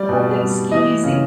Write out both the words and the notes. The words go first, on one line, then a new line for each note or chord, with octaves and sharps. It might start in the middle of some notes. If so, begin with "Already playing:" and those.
like, skeezy.
Already playing: G3 D5
B2
G3
E3 D#5
C#3